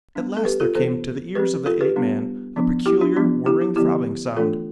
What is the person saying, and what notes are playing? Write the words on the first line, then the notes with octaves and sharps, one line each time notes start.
At last there came to the ears of the ape-man a peculiar whirring, throbbing sound.
G3 B3 D4
A4
G4 B4
F4 A4
E3 B3 D4 A4 C5
F3 C4 G4 B4
F4 A4
G4 B4
G3 B3 D4
F3 B3 D4
E4 G4
D4 F4
F3 B3 D4
E4 G4
E4
D3 F3 B3 E4 G4
E3 A3 D4 F4 A4